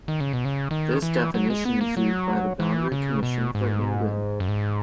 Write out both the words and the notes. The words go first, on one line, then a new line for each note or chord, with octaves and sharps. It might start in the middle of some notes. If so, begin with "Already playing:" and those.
This definition is used by the Boundary Commission for England.
D#3
C#3
B2
C#3
D#3
E3
F#3
G#3
B3
A#3
F#3
E3
C#3
B2
G#2
F#2
G#2